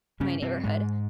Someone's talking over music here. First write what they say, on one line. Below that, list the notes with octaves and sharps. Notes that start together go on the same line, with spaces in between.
my neighborhood,
G2 C#3 C#4
C3 C4
G#2 G#3